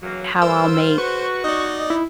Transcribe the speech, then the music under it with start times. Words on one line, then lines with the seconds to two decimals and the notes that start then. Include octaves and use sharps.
how I'll make
0.02 C#3 E3 F#3 A#3
0.42 G3 F4 A#4 C5 E6
0.98 F#4 B4 C#6
1.44 D#4 D5 D#5
1.90 E4